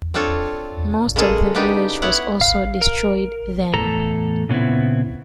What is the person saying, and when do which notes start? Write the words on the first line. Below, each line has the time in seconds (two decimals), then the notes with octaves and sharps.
Most of the village was also destroyed then.
0.14 C4 D4 F4 A4 C#5
1.16 C#3 G#3 A#3 G#4 A4
1.55 C#3 B3 D4 D#4 G4
2.02 B3 E4 C#5 F#5
2.41 F5
2.81 A#4
3.74 E2 A2 A4 A#5
4.49 A#2 C#3 B3 C4 E4